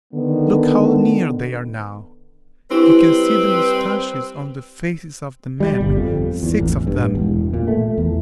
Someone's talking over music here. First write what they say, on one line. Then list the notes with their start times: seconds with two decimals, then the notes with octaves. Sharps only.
Look how near they are now!-- You can see the mustaches on the faces of the men--six of them.
0.14 D3 D#3 B3
2.70 G3 C4 D4 E4 G4 B4
5.60 G3
5.81 G1
5.96 F2
6.43 E2
6.59 A1
6.87 G2
7.15 E1
7.54 A#2
7.68 A3
7.98 E2